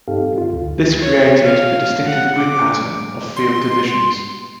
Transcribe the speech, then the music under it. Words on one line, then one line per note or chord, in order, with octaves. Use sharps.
This created the distinctive grid pattern of field divisions.
G2 C4 D#4 G4 A4 F5
F4
D2
C#5
F5
F#5
D6
C6